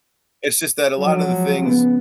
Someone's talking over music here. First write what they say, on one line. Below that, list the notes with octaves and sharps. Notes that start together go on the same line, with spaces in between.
It's just that a lotta the things
F3 F#3 G#3
C#3 B3